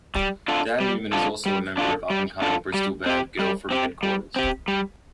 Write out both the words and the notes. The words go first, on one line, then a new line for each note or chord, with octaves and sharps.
Dan Newman is also a member of up-and-coming Bristol band Girl From Headquarters.
G3
D4 F4 A4
G3
D4 F4 A4
G3
D4 F4 A4
G3
D4 F4 A4
G3
C4 G4
G3
C4 G4
G3
C4 G4
G3